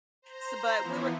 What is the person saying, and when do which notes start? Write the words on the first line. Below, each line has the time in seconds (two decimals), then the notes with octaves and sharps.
s but we were
0.22 C5 A#5
0.77 E3 F3 B3 E4